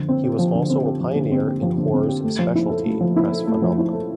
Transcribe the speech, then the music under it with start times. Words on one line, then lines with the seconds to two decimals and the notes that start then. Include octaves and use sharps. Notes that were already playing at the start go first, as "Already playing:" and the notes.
He was also a pioneer in horror's specialty press phenomenon.
Already playing: D3 F3
0.09 C4
0.24 G4
0.39 F3
0.55 D3
0.70 C4
0.86 G4
1.00 F3
1.16 D3
1.32 C4
1.47 G4
1.62 F3
1.78 D3
1.93 C4
2.08 G4
2.24 A3
2.39 F3
2.55 E4
2.70 A4
2.85 A3
3.01 F3
3.16 E4
3.31 A4
3.47 A3
3.62 F3
3.78 E4
3.93 A4